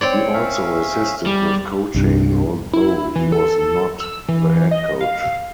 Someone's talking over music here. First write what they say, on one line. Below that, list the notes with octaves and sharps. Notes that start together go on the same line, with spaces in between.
He also assisted with coaching, although he was not the head coach.
C4 C#5 D5
C#4 E5 F5
G3
C2 G2
E4
E3
A4
E6
E3
D#5
F5